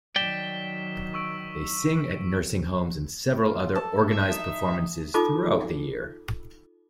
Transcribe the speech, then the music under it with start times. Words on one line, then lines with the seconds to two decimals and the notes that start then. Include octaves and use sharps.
They sing at nursing homes and several other organized performances throughout the year.
0.16 D#3 F#3 D5 G5 B6 E7 G7
1.14 C#6 E6 D7
3.44 F4
3.75 A4 A5
4.12 E5
4.30 D#4
5.14 D#4 F4 A4 D6